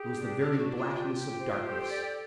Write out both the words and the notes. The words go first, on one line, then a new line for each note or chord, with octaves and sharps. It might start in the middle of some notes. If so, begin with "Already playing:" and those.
It was the very blackness of darkness.
Already playing: G4 G#4
D4
D4 G4
G4
F#4
D4
E4
F4
G4
F4
G4
F4
C5
F4
G4
A4
D5